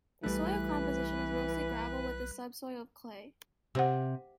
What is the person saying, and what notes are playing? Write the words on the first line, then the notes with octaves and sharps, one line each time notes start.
The soil composition, is mostly gravel with a subsoil of clay.
B1 E3 G3 A3 B4 F#6
C3 G4 C5 F#5